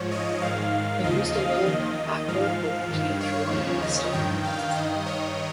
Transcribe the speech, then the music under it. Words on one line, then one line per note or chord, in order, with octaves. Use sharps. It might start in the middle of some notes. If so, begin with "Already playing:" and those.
I used a little-known back road hoping to get through unmolested.
Already playing: G#2 F3 C#5
D#5
G#2 D#3 F5
D#2 C#3 F3 D#5
F5
D#2 D#3 D#5
G#2 F3 F5
G2 D#3
C#5
D#2 C#3 F3
D#5
G2 D#3 G5
F5
G2 D#3 D#5
C#5